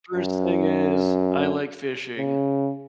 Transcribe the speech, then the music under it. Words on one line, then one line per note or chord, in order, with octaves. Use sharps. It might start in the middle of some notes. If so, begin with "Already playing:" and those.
First thing is I like fishing,
F#2
C#3